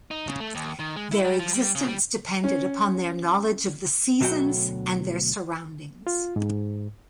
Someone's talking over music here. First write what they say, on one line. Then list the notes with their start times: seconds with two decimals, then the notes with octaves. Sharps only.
Their existence depended upon their knowledge of the seasons and their surroundings.
0.11 D#4
0.27 C#3
0.40 A3
0.55 D#2
0.79 D#3
0.96 G#3
1.12 E4
1.25 G3
1.40 F3
1.54 G3
1.75 C#3
1.88 G3
2.44 C#4
4.21 D2 B2 F#3 A3 F#4 G5
6.07 F4
6.36 G#2